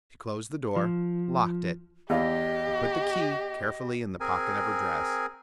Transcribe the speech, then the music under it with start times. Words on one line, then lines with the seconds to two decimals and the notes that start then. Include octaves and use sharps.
She closed the door, locked it, and put the key carefully in the pocket of her dress.
0.76 F3
2.10 E2 G4 D#5 F5
4.20 C4 G#4 A#4 G#5